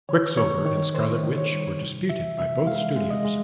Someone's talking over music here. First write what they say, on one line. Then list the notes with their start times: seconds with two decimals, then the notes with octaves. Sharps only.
Quicksilver and Scarlet Witch were disputed by both studios.
0.09 D#3 C#5
0.38 D#3 C#5
0.66 D#3 C#5
0.95 D#3 C5
1.24 D#3
1.38 C#5
1.52 G3
1.81 C3
2.09 E3 E5
2.38 C3 E5
2.67 G#3 F5
2.96 G#3
3.10 D#5
3.24 G#3